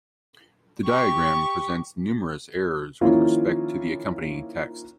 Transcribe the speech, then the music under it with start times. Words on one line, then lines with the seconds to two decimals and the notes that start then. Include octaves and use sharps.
The diagram presents numerous errors with respect to the accompanying text.
0.85 G4 C#6
3.01 D#3 F3 A#3 C#4 E4 F4